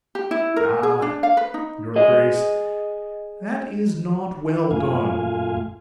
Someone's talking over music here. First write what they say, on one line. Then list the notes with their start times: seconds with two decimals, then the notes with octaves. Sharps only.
"Ah, your grace, that is not well done."
0.15 G4
0.31 E4
0.56 A#4
0.83 G#4
1.02 D4
1.23 F5
1.37 B4
1.54 D#4
1.96 G#4 D#5
4.71 F#2 A#2 A3 F4 F5 G#5